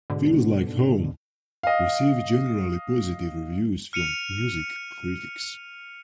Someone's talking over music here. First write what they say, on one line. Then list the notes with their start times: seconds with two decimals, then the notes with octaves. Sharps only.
"Feels Like Home" received generally positive reviews from music critics.
0.10 G#2 B2 D3
1.63 D#5 F5
3.93 F6 C#7 D#7 F7